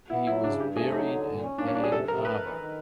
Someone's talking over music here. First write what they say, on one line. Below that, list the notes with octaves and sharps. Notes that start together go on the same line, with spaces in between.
He was buried in Ann Arbor.
B3 E4
F#3 E4
C#3 D4
G2 G4
A3 G#4
F#3 D#4
D3
A#2
C#4
A#3 D4
C#4
G3 D4
G#4
C3 A4
C3 A#4
A3 B4
E3
D#3